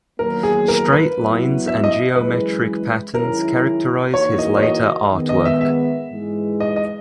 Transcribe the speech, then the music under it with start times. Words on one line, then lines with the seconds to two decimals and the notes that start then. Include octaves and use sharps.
Straight lines and geometric patterns characterize his later art work.
0.19 E2 D#3 F#3 A#3 A#4
0.43 G#4
0.68 A#4
0.92 B4
1.18 E2 B2 F#3 B3 E4
1.68 E5
1.84 D#5
2.16 F#2 E3 G#3 B4
3.14 F#2 D#3 G#3 C#4 E4 A#4
4.14 E3 A#3 D#4 F#4 C#5
4.38 D#5
4.57 C#5
4.63 D#5
5.13 D#3 G#3 B3
5.29 D#5
5.45 E5
5.61 E5
6.10 G#2 E3 G#3 D#4
6.60 D#5
6.76 D#5